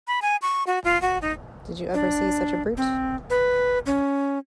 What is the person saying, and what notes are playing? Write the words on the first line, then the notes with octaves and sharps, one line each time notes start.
Did you ever see such a brute?
B5
G#5
C#6
F#4
F4
F#4
D#4
D4
C4
B4
C#4